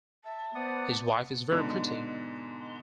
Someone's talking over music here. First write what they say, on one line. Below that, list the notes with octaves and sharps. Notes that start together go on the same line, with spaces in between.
His wife is very pretty.
E5 A5
B3 C5 D5 F#5 D#6
G#2 B2 D3